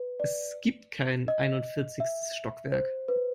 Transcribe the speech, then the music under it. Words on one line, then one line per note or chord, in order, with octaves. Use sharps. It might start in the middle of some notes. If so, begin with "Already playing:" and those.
Es gibt kein einundvierzigstes Stockwerk.
Already playing: B4
D5
D#5
E5
C5
B4